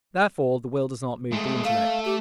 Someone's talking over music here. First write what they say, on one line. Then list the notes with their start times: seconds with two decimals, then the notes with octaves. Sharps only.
Therefore the will does not move the intellect.
1.32 G#3 A3
1.64 A3 F5
2.05 G4